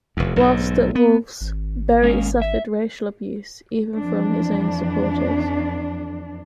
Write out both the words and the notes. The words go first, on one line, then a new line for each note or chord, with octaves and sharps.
Whilst at Wolves Berry suffered racial abuse even from his own supporters.
F1 E2
B1 G#2
B3
G#1
G#3 A#3 C#4
E5
F2 E3 D4